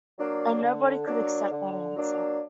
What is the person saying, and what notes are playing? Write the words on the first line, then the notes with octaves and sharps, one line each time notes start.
And nobody could accept that answer.
F#3 A#3 D4
D3
F#3 A#3 D4
D3
F#3 A#3 D4